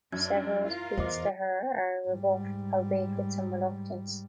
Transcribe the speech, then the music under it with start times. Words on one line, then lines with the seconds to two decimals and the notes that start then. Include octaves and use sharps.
Severo's pleas to her are rebuffed, albeit with some reluctance.
0.12 F#2 D4 G#6
0.65 E4 F4 A#4
0.98 E2 C5 D#5 D6
2.08 G#2 G3